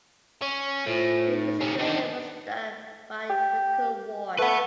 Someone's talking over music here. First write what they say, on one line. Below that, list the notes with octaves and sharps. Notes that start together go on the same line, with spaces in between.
The music direction was done by Mukul Roy.
C#4
A2 F4 C5
D#4
C3 C#4
D3 D#3 D#5
G4
A3 B4 F#5